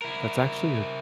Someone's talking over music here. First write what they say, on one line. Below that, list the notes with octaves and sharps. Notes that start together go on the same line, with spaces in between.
that's actually a
E4 A#4